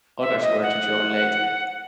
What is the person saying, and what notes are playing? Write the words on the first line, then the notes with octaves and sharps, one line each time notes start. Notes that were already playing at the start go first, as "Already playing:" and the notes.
Others were to join later.
E5
D#5
F#5